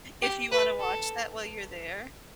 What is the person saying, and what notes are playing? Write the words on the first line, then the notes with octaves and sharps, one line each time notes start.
if you wanna watch that while you're there.
G4
B4
A4